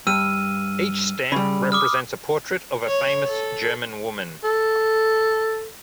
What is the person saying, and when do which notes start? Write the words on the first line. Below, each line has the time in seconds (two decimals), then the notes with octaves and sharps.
Each stamp represents a portrait of a famous German woman.
0.07 G2 E6 F6 D#7
1.32 C#3 G3 B5
1.72 D6 D#6 F6
2.88 C#5
3.27 A4
4.44 A4